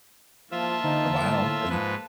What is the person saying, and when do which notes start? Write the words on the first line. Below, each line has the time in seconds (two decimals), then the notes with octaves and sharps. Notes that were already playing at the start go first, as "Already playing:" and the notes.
Oh, wow. Okay.
0.51 F3 A#3 F4 E5 A5
0.84 D3 D#4 C5 A#5
1.21 A2
1.69 G#2 F3 B4